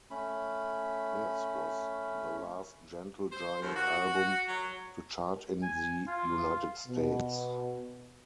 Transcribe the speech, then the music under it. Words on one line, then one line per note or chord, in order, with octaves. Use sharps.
This was the last Gentle Giant album to chart in the United States.
A3 C#4 B5
C5
D#2
F#4
F#3
G#5
F4
B2